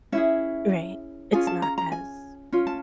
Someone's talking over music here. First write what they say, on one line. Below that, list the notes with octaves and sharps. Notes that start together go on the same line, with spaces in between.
Right. It's not as, you know,
C#4 E4 G#4 E5
C#4 F4 G#4 G#5
A5
A#5
A#5
G#5
C#4 F4
A5